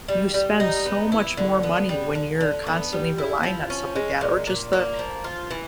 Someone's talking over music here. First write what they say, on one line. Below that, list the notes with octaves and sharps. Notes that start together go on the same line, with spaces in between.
you spend so much more money when you're constantly relying on stuff like that or just the
G3
G3
D#4
B3
E4
D3
B3
G3
D3
D3
B3
G3
E4
F3
C#4
G#3
A#2
A#2
A#3
F3
F4
E3